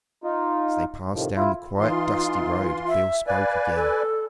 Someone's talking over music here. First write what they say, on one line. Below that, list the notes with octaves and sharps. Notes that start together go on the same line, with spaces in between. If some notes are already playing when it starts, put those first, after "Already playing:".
As they passed down the quiet, dusty road Beale spoke again.
D#4 F4
A2 C3 D#3 F3
E4 F4
E3 D#4 F4 C6
E5
B4 D5 F5 G#5
A4